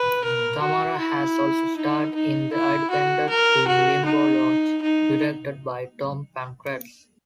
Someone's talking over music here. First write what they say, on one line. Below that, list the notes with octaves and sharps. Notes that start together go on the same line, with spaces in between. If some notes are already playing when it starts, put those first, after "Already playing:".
Tamara has also starred in the independent film "Limbo Lounge", directed by Tom Pankratz.
Already playing: B4
A#4
F#4
E4
D#4
D#4
E4
F#4
A#4
F#4
D#4
D#4